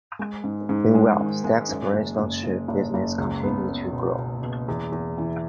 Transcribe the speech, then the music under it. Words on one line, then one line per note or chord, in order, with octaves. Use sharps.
Meanwhile, Stac's original chip business continued to grow.
G#3
G#2
G#2
G#3
D#3
G#3
F#2
F#1
F#1
F#1
F#1
F#1
C#2
B3
B3
B2
B2
B2
E2
E2
E3